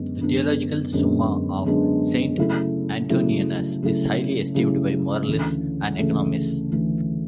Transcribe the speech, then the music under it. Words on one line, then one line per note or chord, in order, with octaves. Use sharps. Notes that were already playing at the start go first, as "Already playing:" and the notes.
The theological summa of Saint Antoninus is highly esteemed by moralists and economists.
Already playing: F#2 D3 G#3 B3
F#2 D3 G#3 B3 D4
F#2 D3 G#3 B3 D4
F#2 D3 G#3 B3 D4
C#3 F#3 A3 E4
C#3 F#3 A3 E4
C#3 F#3 A3 E4
C#3 F#3 A3 E4
D2 C#3 E3 A3
D2 C#3 E3 A3
D2 C#3 E3 A3